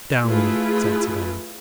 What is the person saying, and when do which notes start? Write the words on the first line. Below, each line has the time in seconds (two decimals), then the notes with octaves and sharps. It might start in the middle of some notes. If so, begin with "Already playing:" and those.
"Down with it," said Sir Daniel.
0.24 A3 E4 F4 G#4 B4